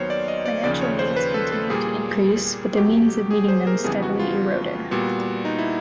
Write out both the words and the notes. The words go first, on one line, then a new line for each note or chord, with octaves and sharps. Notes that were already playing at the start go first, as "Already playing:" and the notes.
Financial needs continued to increase, but the means of meeting them steadily eroded.
Already playing: D#2 D#3 F#3 B3 C5 C#5
D5
D#5
D5
D#2 C#3 F3 D5
C#5
C5
B4
A4
A4
A#2 G3 A#3 G#4
B2 F#3 A3 G4
G#4
C5
A#4
F2 C#3 E3 G3 B3 G#4
F#4
F4
A#2 G3 B3 F#4
D#4
E4